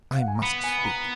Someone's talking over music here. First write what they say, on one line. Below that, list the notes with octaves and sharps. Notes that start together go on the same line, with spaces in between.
I must speak.
F5
F#5
G#5
A#5
B3 B5
G#5
B5
A#5